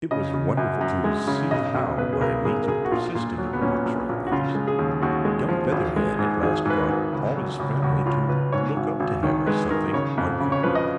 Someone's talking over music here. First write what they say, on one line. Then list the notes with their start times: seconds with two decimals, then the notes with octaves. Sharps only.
It was wonderful to see how, by means of persisting in remarks like these, young Featherhead at last got all his family to look up to him as something uncommon.
0.11 C#3 D#5
0.34 C#3
0.57 F#2
0.81 F#2
1.04 G#3
1.27 C#3
1.51 B1 D#5
1.75 B1
1.98 B2 B4
2.13 G#4
2.21 B1 A#4
2.45 B1 G#4
2.63 A#4
2.68 B1 G#4
2.85 F#4
2.92 A#1 F4
3.15 A#2 F4
3.38 F#3
3.53 B3
3.61 A#2 C#4
3.85 A#1
4.09 A#1
4.27 F#4
4.31 C#3 F4
4.55 G#3
4.67 G#4
4.79 D#2
5.02 D#2 F#4
5.25 G#3
5.49 F3
5.72 G#1
5.96 G#3
6.19 G#2
6.43 G#1 G#4
6.65 G#2 B4
6.77 A#4
6.89 G#1
7.13 C#2
7.35 F#3
7.60 C#2
7.82 C#2 F#4
8.06 C#2 F4
8.29 C#2 B4
8.52 G#2 C#5
8.76 G#1
9.00 G#1
9.23 D#3 C#5
9.46 G#3 B4
9.71 D#3 A#4
9.93 C#3 C#5
10.17 F2
10.40 C#3
10.52 C#5
10.63 F3 B4
10.75 D#5